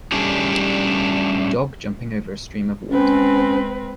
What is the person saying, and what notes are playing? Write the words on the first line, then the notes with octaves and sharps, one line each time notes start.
A dog jumping over a stream of water.
G3 A3 C#4 D4 G4 G#4
G#3 C4 C#4 B4